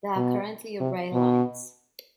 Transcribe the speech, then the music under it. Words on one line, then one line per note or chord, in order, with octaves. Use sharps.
There are currently rail lines.
B2
C3
B2